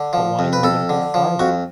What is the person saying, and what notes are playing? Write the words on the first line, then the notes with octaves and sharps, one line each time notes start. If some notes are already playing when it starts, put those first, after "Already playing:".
But why need I go farther?
Already playing: D3
F3
F2
B4
F2 A4
D3
F3
F2 F#4